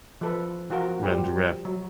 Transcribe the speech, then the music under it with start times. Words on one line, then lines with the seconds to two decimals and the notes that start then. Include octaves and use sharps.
When the Rev.
0.21 F3 A4 B4
0.70 F3 F4 F#4 A#4
1.02 F3 G3 G4 C5
1.65 F#3